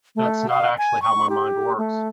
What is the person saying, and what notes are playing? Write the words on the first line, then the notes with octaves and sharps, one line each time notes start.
That's not actually how my mind works.
A3
F5
G#5
C#6
G4
A3